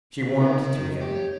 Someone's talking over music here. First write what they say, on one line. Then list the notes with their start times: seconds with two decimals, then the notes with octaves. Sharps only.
She warmed to him.
0.21 C#3
0.40 B3 D#4 A#4 D#5
1.01 A3 G4
1.15 C#5